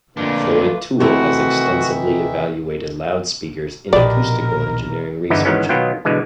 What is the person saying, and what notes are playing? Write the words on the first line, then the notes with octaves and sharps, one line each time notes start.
Floyd Toole has extensively evaluated loudspeakers in acoustical engineering research.
F2 A#2 D3 A3 A#3 D4 F4 B4
C3 D#3 E3 A3 E4 F#4 E5
A#1 B2 G4 A#4 D5
G1 E2 D3 B3 D#4 E4
G#2 D#3 E3 B3 C#4
B2 D#3 F#3 B3 F4 G5
B2 D3 E3 G#3